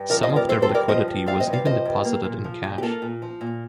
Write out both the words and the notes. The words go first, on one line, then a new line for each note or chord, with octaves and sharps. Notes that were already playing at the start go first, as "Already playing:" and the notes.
Some of their liquidity was even deposited in cash.
Already playing: G2
F3 A#4 D5
C5 D#5
G2
A#4 D5
C4 A4 C5
A4 C5
G2
A#4 D5
F3 C5 D#5
G2
C4 D5 F5
C5 D#5
G2
D5 F5
F3 C5 D#5
G2
A#3
A#2
F3
A#2
G4
A#3 F4 A4
A#2
F3
A#2